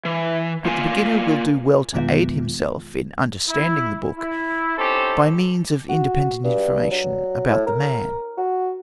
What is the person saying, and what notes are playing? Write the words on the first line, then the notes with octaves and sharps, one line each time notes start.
But the beginner will do well to aid himself in understanding the book by means of independent information about the man.
E3
A#3 F4 F5 G#5
F2 B2 D#3 G#3 B3 F4
E4
E4
C4 C#4 D#4 G4 A4 C5
F#4
G2
F#3
A2
A#4
F#4